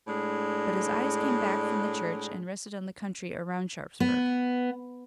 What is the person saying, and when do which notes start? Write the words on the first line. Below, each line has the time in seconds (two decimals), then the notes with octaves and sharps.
But his eyes came back from the church and rested on the country around Sharpsburg.
0.08 A2 G#3 D4
4.00 B3